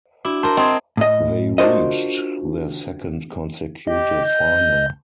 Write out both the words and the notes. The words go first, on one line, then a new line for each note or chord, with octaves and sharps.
They reached their second consecutive final.
D4 E4 F#4 D6
A#4 C5 A5
C4 D#5 D#6 G#6
A2 D#5
D4 F4 F#4 A#4 C5 D#5
G4 D#5
G6